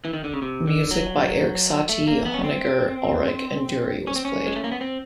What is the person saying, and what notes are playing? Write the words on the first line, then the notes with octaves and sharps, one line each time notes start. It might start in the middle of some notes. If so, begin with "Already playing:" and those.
Music by Erik Satie, Honegger, Auric and Durey was played.
E3
D#3
D3
C#3
C3
D3
F#3
A3
A#3
B3
C#4
C4
C#4
C4
C#4
G#3
A3
A#3
B3
C4